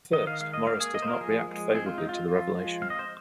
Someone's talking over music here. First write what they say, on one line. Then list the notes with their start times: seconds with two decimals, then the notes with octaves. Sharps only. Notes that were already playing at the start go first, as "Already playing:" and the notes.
At first, Maurice does not react favorably to the revelation.
0.13 D#3 D#5
0.27 F5
0.40 G#3 F5
0.54 D#5
0.67 A#3 F5
0.80 G#4
0.94 A#3 D#5
1.02 C5
1.08 A#4
1.14 F4
1.20 F3 G#4
1.48 G#3
1.74 C4 G#4
1.86 F4
1.98 C4 D#4
2.09 F4
2.28 F3 F4
2.55 G#3
2.82 C4 F5
2.90 D#5
2.99 C5